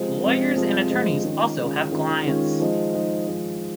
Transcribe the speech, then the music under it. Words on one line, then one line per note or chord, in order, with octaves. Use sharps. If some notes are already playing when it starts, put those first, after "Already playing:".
Lawyers and attorneys also have clients.
Already playing: C3 F3 G#3 C4
C3 F3 G#3 C4
C3 F3 G#3 C4
C3 F3 G#3 C4
D#3 G#3 C#4 F4
D#3 G#3 C#4 F4
D#3 G#3 C#4 F4
D#3 G#3 C#4 F4
F3 G#3 D#4
F3 G#3 D#4
F3 G#3 D#4